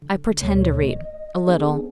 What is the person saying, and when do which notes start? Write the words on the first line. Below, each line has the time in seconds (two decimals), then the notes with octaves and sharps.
I pretend to read--a little.
0.02 D3
0.42 D2 B2 A3 C#5
0.84 D#5
1.48 B3 D4 G#4